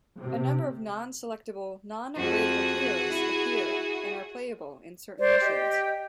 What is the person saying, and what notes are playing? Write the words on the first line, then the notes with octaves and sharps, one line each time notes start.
A number of non-selectable, non-upgradable heroes appear and are playable in certain missions.
C3
F2 F#4 G#4
E4
C5 D5
G4 D#5 G5